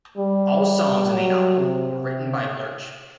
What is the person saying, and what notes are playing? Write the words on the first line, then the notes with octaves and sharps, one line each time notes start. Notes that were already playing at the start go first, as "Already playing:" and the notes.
All songs on the album were written by Lerche.
G3
F#3
C3